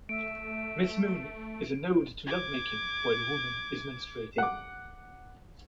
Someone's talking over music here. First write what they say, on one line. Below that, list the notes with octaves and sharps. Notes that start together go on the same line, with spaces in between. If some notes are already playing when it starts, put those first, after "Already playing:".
"Miss Moon" is an ode to lovemaking while a woman is menstruating.
A3 E5 D7
D6 G#6
F#5 D6